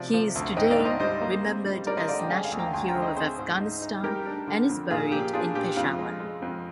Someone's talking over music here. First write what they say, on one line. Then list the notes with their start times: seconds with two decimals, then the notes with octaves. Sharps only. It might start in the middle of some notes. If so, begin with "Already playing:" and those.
He is today remembered as National Hero of Afghanistan and is buried in Peshawar.
Already playing: C3 F3 D5
0.14 F3
0.35 D2
0.57 G#2 D#5 G5
0.71 D5 F5
0.79 G#2
0.85 C5 D#5
1.00 G3 C5 D#5
1.21 A#3
1.44 C4
1.65 G3
1.87 G3 A#4 D5
1.97 C5 D#5
2.08 D3 D5 F5
2.19 D#5 G5
2.30 G#3 F5 G#5
2.44 F5 G#5
2.52 D2
2.59 G5 A#5
2.73 D2 G#5 C6
2.88 G5 A#5
2.95 D2
3.02 C5 D#5
3.17 C4 G#4 C5
3.38 G#2
3.60 D#4
3.82 D#4
4.03 G3 G4 A#4
4.26 D4
4.48 D3
4.69 F2
4.90 A#2 F4 G#4
5.12 A#2 G4
5.33 D4 F4 G#4
5.55 A#2 G4
5.76 F2 F4
5.99 G#3
6.20 G#3
6.42 F2